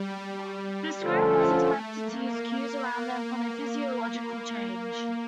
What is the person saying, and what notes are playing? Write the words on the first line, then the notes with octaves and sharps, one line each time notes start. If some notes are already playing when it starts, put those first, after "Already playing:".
This group was expected to use cues around them for their physiological change.
Already playing: G3
D3 F3 A3 C#4 F4 A4
A#3